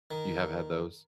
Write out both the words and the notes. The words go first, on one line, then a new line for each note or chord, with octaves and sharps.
You have had those?
D#3